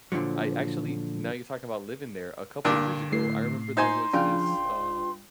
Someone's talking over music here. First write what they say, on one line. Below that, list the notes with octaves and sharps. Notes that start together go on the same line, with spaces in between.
I actually now you're talking about living there, a couple years ago, I remember there was this, um
A#2 D3 D#3 F3 F#3
G2 A#2 D3 D4
A2 C7
D#4 C5 G#5 C6
C#3 F3 D4 F4 G5
D1